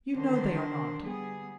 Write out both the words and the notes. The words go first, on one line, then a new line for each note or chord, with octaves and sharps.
You know they are not.
D3 D#3 D4 C5
G3 B3 G#4